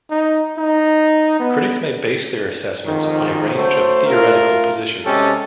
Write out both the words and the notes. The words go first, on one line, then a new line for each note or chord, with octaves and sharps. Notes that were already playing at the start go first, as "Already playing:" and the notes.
Critics may base their assessment on a range of theoretical positions.
D#4
D#4
B3
F2 G#2 D#3
F#3 A3 C5
A3 F4 A#4
C3 G#3 C#4 G4 A4